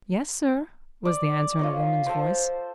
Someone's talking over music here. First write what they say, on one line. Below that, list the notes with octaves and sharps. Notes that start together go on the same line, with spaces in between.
"Yes, sir," was the answer, in a woman's voice.
D5
F4 C#5 D#5
A4 C5